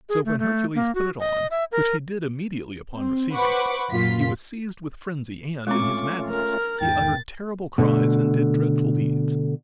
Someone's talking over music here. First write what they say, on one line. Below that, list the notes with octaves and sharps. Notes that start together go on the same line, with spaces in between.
So when Hercules put it on, which he did immediately upon receiving it, he was seized with frenzy and, in his madness, he uttered terrible cries and did dreadful deeds.
G#4
A3
A3
A#3
F#4
D#5
E5
A#4
C4
B4 C5 F#5 B5 C#6 D6
F#2 A#2 F4 B6
G#3 A3 C4 C#4 F4 C#6 D6
A#4 F6
E2 G#2 D#3 G5 A6
B2 D3 A3